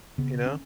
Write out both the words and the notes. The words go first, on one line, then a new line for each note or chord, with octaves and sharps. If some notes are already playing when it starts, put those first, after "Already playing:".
You know?
C#3 B3
C#4